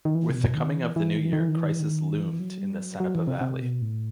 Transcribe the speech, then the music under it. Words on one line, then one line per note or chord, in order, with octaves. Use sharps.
With the coming of the new year, crisis loomed in the Cenepa valley.
D#3
E3
C3
B2
D#3
E3
E3
D#3
E3
D#3
E3
D#3
E3
D#3
E3
D#3
E3
F#3
G3
F#3
F#3
E3
C3
C3
B2
A2